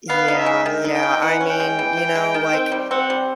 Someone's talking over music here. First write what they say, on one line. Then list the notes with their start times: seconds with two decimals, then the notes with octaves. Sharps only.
Yeah, yeah. I mean, you know, like,
0.09 B3 F5
0.28 D#4
0.37 E5
0.46 G#3
0.66 D#3
0.85 D#4
0.94 G5
1.03 D#4
1.22 E3 F#5
1.41 C#4
1.50 G5
1.60 G#3
1.79 E3
1.97 E3
2.15 G#3
2.34 D#3
2.53 C4
2.72 G3
2.91 C4 F#5
3.10 G3